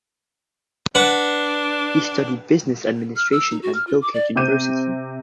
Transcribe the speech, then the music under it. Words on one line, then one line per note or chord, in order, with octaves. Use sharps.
He studied Business administration at Bilkent University.
D4 B4 F#5
F6
E6
D#4
F#4
F6
F4
D6
D5
C3 C4 D6 G6 D#7